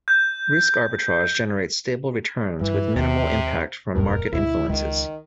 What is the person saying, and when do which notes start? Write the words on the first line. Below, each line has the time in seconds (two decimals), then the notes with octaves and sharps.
Risk arbitrage generates stable returns with minimal impact from market influences.
0.08 G6
2.61 G2 E3
2.96 D#2 C3
3.95 D#1 F#2 A#2 A#4
4.33 D2 B2 E4
4.69 C#2 D#3